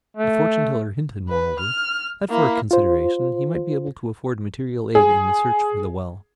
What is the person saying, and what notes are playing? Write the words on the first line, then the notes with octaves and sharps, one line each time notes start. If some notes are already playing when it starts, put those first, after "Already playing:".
The fortune-teller hinted, moreover, that for a consideration he might be able to afford material aid in the search for the well.
A3
B4
F6
A#3 E4
F4 C5
G#4